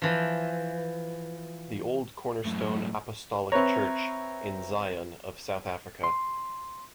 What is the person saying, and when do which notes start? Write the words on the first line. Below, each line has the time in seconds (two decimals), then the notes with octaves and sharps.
The Old Cornerstone Apostolic Church in Zion of South Africa.
0.02 E3 F3
2.45 F#2 A2
3.52 C4 B4 C#5 E5 A#5
6.04 C6